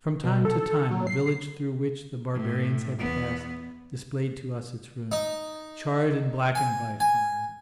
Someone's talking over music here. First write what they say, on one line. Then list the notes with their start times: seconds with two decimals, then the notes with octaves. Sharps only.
From time to time a village through which the barbarians had passed displayed to us its ruins, charred and blackened by fire.
0.24 B2
0.45 A4
0.91 F#3
1.07 C7
2.34 A2
2.99 E2 B3
5.12 D#4
6.55 G#5
7.00 G#5